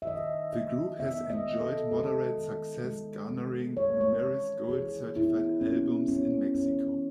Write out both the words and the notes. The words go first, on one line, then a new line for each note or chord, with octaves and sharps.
The group has enjoyed moderate success garnering numerous gold-certified albums in Mexico.
E5
D#3 D#5
D#3 E5
B3 E5
D#5
D#3
A4
G#3 A4
D#3
G#3
G#3
E3 C#5
C#5
E3 C#5
E3 G#4
B3 E4
B3 C#4
B3 C#4
E3 C#4